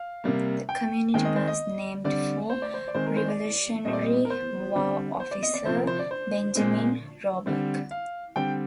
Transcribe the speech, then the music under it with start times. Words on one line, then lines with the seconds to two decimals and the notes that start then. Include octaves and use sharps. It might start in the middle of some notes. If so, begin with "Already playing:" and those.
The community was named for Revolutionary War Officer, Benjamin Roebuck.
Already playing: F5
0.24 C3 G3 A#3
0.69 G5
1.14 D#3 G#3 C4 G5
1.25 D#5
1.36 C5
1.48 D#5
2.04 D3 G3 C4 D5
2.50 C5
2.62 D5
2.74 C5
2.88 D5
2.94 D#3 G#3 C4 C5
3.07 A#4
3.17 C5
3.28 D5
3.85 A#2 G3 C4 D#5
3.93 D5
4.01 D#5
4.25 A#4
4.30 C5
4.76 D3 G3 C4
5.20 C5
5.31 D5
5.43 D#5
5.54 D5
5.65 C3 F3 C4 C5
5.77 A#4
5.87 C5
5.99 D5
6.11 C5
6.55 A#2 G#3 C4
7.46 D3 G3 C4
7.91 F5
8.36 D3 G3 C4 G5